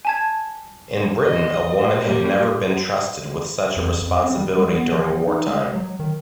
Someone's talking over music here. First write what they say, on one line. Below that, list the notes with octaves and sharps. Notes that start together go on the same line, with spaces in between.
In Britain a woman had never been trusted with such a responsibility during wartime.
G#5 A5 G#6
D#5
G3 A#3
F2
F2
C4
G3
G3
B3
F3
F3
D#4
G#3
F#3
D#3